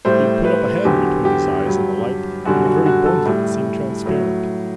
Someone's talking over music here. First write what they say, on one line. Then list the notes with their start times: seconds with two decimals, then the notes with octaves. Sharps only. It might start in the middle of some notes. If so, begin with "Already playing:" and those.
He had put up a hand between his eyes and the light, and the very bones of it seemed transparent.
0.05 A2 G3 C5
0.45 B4
0.85 E2 D3 F#3 G4
1.25 G4
1.65 G2 F#3
2.45 F#2 D3 G3 F#4
2.65 F#4
2.86 F#4
3.06 A4
3.26 A2 G3
4.06 A2 F#3